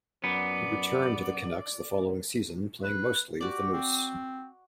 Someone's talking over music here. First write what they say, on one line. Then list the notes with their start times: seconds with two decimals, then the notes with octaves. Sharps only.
He returned to the Canucks the following season playing mostly with the Moose.
0.24 F#2 B3 D5
2.84 B4
3.41 F#4 G4 D5
3.73 C4